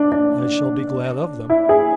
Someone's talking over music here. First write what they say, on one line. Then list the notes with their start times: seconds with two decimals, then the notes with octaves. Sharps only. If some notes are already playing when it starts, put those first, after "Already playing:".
I shall be glad of them.
Already playing: D4
0.12 D4
1.50 E4
1.69 G#4